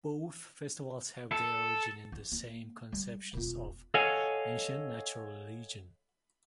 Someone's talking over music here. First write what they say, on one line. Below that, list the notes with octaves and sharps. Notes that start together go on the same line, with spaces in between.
Both festivals have their origin in the same conceptions of ancient natural religion.
A4
E4
A#3
G3
E1 F4
A4 C#5 D#5 F5 F#5 G#5